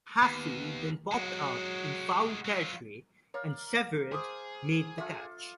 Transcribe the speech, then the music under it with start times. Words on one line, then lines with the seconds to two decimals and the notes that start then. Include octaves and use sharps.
Hafey then popped up in foul territory, and Severeid made the catch.
0.22 D#2 B3
1.11 F#3 G#3 F#4
2.45 F#3 F4
3.34 A#4 C#5 D5 F5
4.12 G#4 C5 D6 D#6
4.98 D4 F4 A4 E5